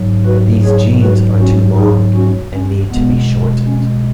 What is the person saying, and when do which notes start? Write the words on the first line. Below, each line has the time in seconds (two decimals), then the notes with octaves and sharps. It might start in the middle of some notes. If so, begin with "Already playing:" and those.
These jeans are too long, and need to be shortened.
Already playing: G#2 F#3
0.26 F#4 B4
0.63 G#4 C#5
1.02 F#4 B4
1.40 C#4 F#4
1.77 D#4 G#4
2.15 C#4 F#4
2.53 C#4
2.91 B2 G#3 B3
3.67 C#4